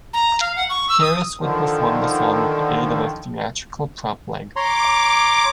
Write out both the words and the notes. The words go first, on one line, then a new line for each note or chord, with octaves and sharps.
Harris would perform the song with the aid of a theatrical prop leg.
A#5
F5
F#5
C#6
E6
D#6
D3 D#3 F3
C#5 A#5 C6 D6